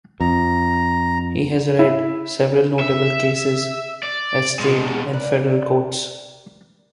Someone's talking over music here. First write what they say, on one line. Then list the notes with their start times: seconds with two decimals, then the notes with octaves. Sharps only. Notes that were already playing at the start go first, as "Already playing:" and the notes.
He had led several notable cases at state and federal courts.
0.20 F2 A#5
1.79 E4
2.80 E5
4.03 D5
4.59 B2 G#3
5.13 A#4 B4 D5